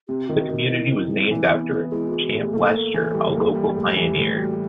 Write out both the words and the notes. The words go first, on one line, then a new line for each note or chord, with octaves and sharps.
The community was named after Champ Lester, a local pioneer.
C3 G4
D#3 F4
F#4
D#3
C3 E4
C3
C3
E3
B3
B3
G#3 E4
G#3 F4
F#4
A2 G4
A#3 A4
A#3
E3
G3
A#3
G3
A2 G#4
G4
F#4
E3 G4
A2
G3 F#4